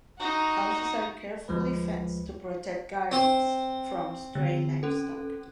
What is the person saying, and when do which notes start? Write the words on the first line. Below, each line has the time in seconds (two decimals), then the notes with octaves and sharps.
Houses are carefully fenced to protect gardens from stray livestock.
0.19 D#4 F#4
1.48 D2 F3 G#3 B4
3.12 C4 C5
4.35 D3
4.83 C#4 A4